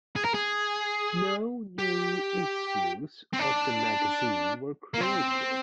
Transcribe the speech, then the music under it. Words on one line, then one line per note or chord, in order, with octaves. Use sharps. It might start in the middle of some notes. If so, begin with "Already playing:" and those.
No new issues of the magazine were created.
G#4
A#4
G#4
G4
C4
D4
A#3
C4